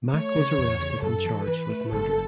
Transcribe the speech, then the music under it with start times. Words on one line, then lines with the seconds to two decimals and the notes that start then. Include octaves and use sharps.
Mack was arrested and charged with murder.
0.14 A3 C#5
0.36 C#3
0.58 E2
0.80 C#3
1.02 F#2 A4
1.25 E3
1.47 E3 B4
1.69 A3
1.91 F#1 A4